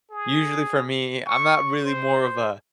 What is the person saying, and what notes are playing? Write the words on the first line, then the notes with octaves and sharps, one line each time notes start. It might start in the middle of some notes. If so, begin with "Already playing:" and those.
usually for me, I'm not really more of a
G#4
C#6
C5